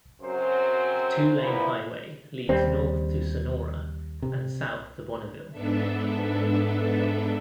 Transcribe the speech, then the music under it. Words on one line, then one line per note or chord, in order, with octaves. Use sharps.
The two-lane highway leads north to Sonora and south to Bonnieville.
F#2 C#3 F#3 C4 C5
A#2 F3 B3 E4
D#2 G3 C4
C3
G#2 B3 D4 A4 E5